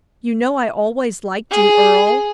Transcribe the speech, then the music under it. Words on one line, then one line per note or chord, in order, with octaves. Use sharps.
"You know I always liked you, Earle."
G#4